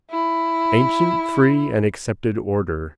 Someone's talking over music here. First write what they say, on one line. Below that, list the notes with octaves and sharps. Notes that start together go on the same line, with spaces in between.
Ancient free and accepted order.
E4